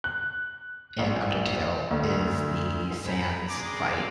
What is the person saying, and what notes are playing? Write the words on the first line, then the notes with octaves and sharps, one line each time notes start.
in Undertale, is the sands fight
F#6
A#1
D2
G5 G#5 A#5 B5
D4 G#4 A#5 C6 D6